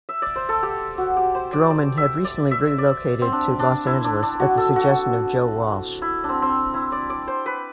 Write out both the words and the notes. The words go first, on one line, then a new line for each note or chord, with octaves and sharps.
Droman had recently relocated to Los Angeles at the suggestion of Joe Walsh.
E5
D5
C5
A4
G4
F#4
G4
C5
D5
D5
E5
D5
E5
D5
C4
D4
D4
E4
D4
D4
F#4
A4
F#4
E4
D4
C4
C4
E4
D5
D5
C5
B4